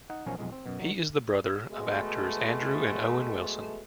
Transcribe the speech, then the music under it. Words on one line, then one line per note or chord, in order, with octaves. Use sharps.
He is the brother of actors Andrew and Owen Wilson.
D#4 F#5
B1 F3 C#4 A#4 G#5
B1 F2 G#3
C4
F#2 B2
D#3 F#3
B2 G#3 A3